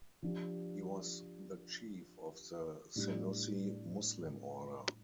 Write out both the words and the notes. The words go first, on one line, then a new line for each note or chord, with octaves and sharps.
He was the chief of the Senussi Muslim order.
F3 D4 G4
A2 G3 D4